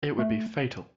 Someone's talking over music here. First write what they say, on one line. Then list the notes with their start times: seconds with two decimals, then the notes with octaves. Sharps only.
It would be fatal.
0.19 A3